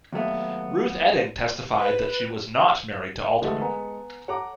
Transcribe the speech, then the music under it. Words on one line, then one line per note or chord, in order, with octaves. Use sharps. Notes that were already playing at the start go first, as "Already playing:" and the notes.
Ruth Etting testified that she was not married to Alderman.
D#2 F#3 A3 B3
B4
D3 E3 G#3 A3 A4
B3 G#5 A#5
A4 C#5 F#5 A#5 D6